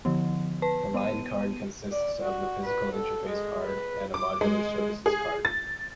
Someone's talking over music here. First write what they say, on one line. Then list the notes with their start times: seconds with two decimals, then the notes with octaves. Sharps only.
The Line card consists of the physical interface card and a modular services card.
0.05 D3 F3 B3
0.62 B4 A5
0.94 B3 D#7
1.92 D5
2.23 F#4
2.64 B4
2.95 A4
3.30 G#3
3.62 B4
4.14 D6
4.41 G#3
5.06 G#4
5.45 A6